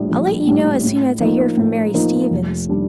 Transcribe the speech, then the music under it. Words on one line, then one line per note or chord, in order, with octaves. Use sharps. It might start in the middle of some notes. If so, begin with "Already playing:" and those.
"I'll let you know as soon as I hear from Mary Stevens."
Already playing: A#1 A2 G3 D4
A#1
A2 G3 D4
A2
F3 A#3 D#4
A2
F3 A#3 D#4
F1
D#3 G3 D4